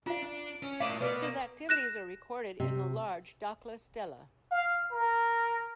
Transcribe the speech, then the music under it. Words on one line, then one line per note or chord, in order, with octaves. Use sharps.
His activities are recorded in the Large Dakhla stela.
D4 F4 F5
D4
C#4
A2 A#3 D4 D5 F5 D#6
B2 B3 A#4 B4 D5 F5
A#3
F#6 A#6 E7
C3
F5
A#4